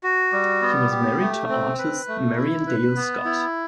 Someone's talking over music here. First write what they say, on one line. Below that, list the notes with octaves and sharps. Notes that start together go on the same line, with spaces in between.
He was married to artist Marian Dale Scott.
F#4
G3
B3
G4
A3
C4
B4
A3
E4
B4
B3
E4